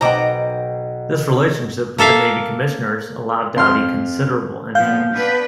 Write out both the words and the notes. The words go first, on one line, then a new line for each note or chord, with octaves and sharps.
This relationship with the Navy Commissioners allowed Doughty considerable influence.
B1 B2 C5 D#5 F#5 G5 A#5 D6
A#3 A4 E5 F5
F2 C6 F6
A#2 F3 B3 F5 G6
B3 D4 B4